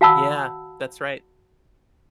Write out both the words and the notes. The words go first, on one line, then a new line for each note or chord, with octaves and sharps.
Yeah, that's right.
F#4 F5 F#5 A5 B5 E6